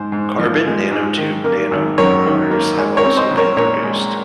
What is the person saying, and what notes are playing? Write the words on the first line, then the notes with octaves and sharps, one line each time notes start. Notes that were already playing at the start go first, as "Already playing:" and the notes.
Carbon nanotube nanomotors have also been produced.
Already playing: G#2 G#3 C5
G#2
F3
G#3
G#2
D#3
A#3
G#1
F#2 A#4 C#5
D#3
A#3
G#3
A#4 C#5
C4
C5 D#5
A#1
A#4 C#5
A#2 A#4 C#5
G#3